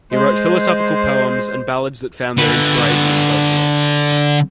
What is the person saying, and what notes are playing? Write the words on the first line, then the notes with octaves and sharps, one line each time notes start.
He wrote philosophical poems, and ballads that found their inspiration in folklore.
G#3 C5
D3 B4